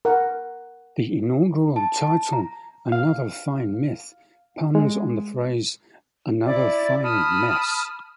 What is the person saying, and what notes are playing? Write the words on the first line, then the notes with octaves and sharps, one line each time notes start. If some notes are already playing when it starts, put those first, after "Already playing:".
The inaugural title "Another Fine Myth" puns on the phrase "another fine mess".
A#4 F#5
A5
A5
A#5
F5
G#3
E4 D5
A5 B5 D#6 F6